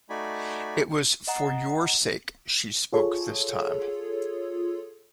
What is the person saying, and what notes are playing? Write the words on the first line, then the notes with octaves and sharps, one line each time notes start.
It was for your sake she spoke this time.
A3 D#4 F#4 D5 G#5 B5
D#5 F#5 A#5
F4 G#4 A4 C#5